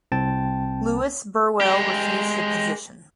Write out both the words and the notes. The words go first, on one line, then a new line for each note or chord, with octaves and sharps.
Lewis Burwell refused the position.
C2 C4 G5 A5 A6
G#3 G4